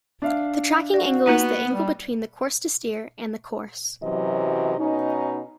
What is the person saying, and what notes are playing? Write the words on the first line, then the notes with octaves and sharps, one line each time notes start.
The tracking angle is the angle between the "course to steer" and the "course".
D4 E5 F5
F#4 D5
A#3 B3 D#4 F4 D#7
G3
F#2 C3 E3 F#3 D#5
B2 C#4 D#4